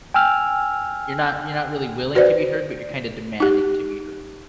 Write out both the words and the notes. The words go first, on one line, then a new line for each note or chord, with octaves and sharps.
you're not you're not really willing to be heard, but you're kinda demanding to be heard.
G5 G#5 E6 F6
F#4 B4 C5 D5
D#4 G4